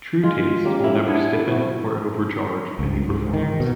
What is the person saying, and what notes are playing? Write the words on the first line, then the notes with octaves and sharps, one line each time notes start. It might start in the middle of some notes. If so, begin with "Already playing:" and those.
True taste will never stiffen or overcharge any performance.
G#3 F4
D#3
G3 A#3 C#4 G4
E4
B3 D4 G#5
C4 E4 F#4
C#2
G#2
D#3
B2